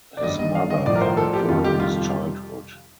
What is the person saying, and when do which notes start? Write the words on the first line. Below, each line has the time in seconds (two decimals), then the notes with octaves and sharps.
His mother died during his childhood.
0.17 D5
0.23 G2 D#3 G3 D#5
0.39 D#5
0.55 F5
0.70 D#5
0.86 A2 F3 D5
0.95 A#4
1.01 C5
1.17 A4
1.33 G4
1.48 F2 C3 D#3 G3 F4
1.64 G4
1.80 F4